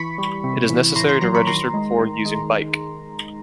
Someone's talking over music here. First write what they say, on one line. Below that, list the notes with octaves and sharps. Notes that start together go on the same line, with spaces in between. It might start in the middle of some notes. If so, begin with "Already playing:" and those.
It is necessary to register before using bike.
Already playing: E3 B5 C#6
G3
C3
E3
A2 A#5 C6
A#5 C6
F#3 A#5 C6
B5 C#6
D#3 A#5 C6
G#3
D#3
G#3